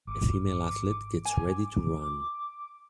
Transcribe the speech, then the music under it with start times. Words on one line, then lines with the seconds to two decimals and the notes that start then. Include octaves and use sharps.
A female athlete gets ready to run.
0.07 G#1 D6
1.25 G#5